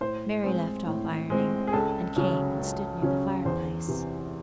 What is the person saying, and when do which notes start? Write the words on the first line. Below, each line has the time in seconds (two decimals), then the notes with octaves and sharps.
Mary left off ironing, and came and stood near the fire-place.
0.01 A2 C5
0.44 G#3 C4
0.87 A2
1.30 G#3 C4
1.67 G#4
1.73 C#2 A4
2.16 C#3 F#3 C#4
2.59 C#2
3.02 C#3 F#3 C#4
3.45 E2 C5
3.88 C3 E3